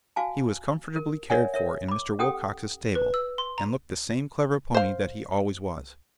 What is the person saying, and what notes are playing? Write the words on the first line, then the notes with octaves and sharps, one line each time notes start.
He was comfortably cared for in Mr. Wilcox's stable, and looked the same clever pony that he always was.
F#4 F5 G#5 A5
A#4
A#4 C#5 D5 E5 F#5 G#5
A#4 C#5 E5
B5 D6
C#4 G4 A4 F#5 G5 D#6
B4
E6
C6
A#5
C5 F5